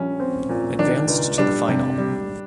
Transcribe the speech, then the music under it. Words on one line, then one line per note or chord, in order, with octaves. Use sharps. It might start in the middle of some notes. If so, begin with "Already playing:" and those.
Advanced to the Final.
Already playing: A#1 G3 C#4
C4
A#2
D#3 D4
C#2
G3 D4
C3
G3